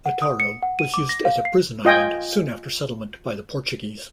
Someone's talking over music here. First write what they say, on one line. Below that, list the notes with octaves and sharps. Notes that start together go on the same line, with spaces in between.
Atauro was used as a prison island soon after settlement by the Portuguese.
F#5
D#6
C#7
F#5
D#7
D6
A#6
F5
C7
F4 D#5 G5 G#5